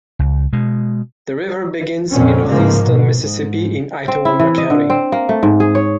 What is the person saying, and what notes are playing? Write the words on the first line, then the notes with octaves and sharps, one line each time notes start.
The river begins in northeastern Mississippi in Itawamba County.
C#2
B2 G#3
F2 A#2 C4 C#4
G#2 C#3 F3 A#3
B2
G#2
C4
E4
E3
D#5
D3
C4
A#3
A3
G#2
G#4
C#5